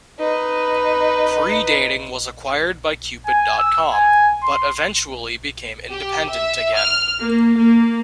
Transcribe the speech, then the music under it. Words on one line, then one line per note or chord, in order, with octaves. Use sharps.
Pre-Dating was acquired by Cupid dot com, but eventually became independent again.
D#4 B4
G#5
E6
G#5
C6
G4
E5
F6
A#3
A#3